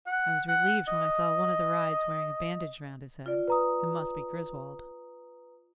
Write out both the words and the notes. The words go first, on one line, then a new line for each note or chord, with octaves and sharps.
I was relieved when I saw one of the riders wearing a bandage round his head; it must be Griswold.
F#5
F#5
D#5
F4 D5
B4 A#5 D#6